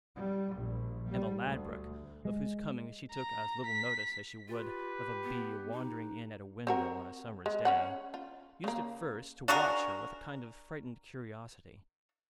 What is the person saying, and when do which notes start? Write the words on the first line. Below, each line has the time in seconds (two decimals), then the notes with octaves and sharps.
Emma Ladbruk, of whose coming she took as little notice as she would of a bee wandering in at a window on a summer’s day, used at first to watch her with a kind of frightened curiosity.
0.17 G3
0.54 A#1
1.09 G3
1.45 D2
2.25 G#3
3.12 A#5
3.66 B6
4.48 F4 G4 B4
5.23 B3
5.72 D#4
6.67 C4 F#4 A#4
7.46 G#3
7.65 C#4 C#5 F#5
8.14 F4
8.64 C#3 A#3
9.48 D4 F#4 G#4 A#4